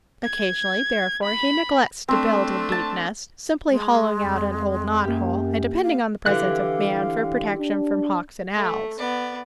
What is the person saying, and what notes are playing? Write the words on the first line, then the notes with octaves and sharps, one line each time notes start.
Occasionally, therefore, he neglects to build a deep nest, simply hollowing out an old knot-hole, and depending on the presence of man for protection from hawks and owls.
G#6
B5
A3 C4 D4
A5
G#3
F2
F#2 A#3 G4
F5
D3 E3 G4 F5 F#6
D4
A3
B3 D5